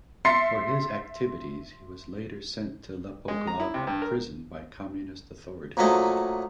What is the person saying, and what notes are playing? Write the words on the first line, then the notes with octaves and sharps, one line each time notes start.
For his activities he was later sent to Lepoglava prison by Communist authorities.
E5 C6 A6 C7 C#7
G#3
A#5
E4
C3
G2
A#4
A#1 A#2 F#3 A3 D#5 G#5